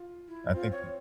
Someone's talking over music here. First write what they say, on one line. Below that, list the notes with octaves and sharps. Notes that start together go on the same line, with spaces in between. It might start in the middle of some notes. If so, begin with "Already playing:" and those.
I think th
Already playing: F4
E4
C4 F4
C#5